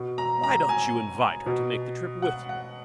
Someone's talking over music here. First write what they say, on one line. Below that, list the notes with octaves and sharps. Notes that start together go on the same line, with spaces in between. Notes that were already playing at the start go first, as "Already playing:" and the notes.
Why don't you invite her to make the trip with you?
Already playing: B2
A#5
A#5
G#5
B2
F#5
F#5